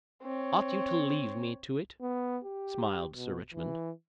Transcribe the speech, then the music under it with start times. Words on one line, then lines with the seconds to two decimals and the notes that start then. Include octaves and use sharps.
"Ought you to leave me to it?" smiled Sir Richmond.
0.24 C4 C#5
2.02 B3
2.45 G4
3.14 B2
3.54 E3